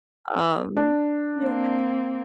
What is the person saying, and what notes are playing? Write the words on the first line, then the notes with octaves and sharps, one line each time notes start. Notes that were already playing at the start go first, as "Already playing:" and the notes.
um, yeah.
D4
A#3 C4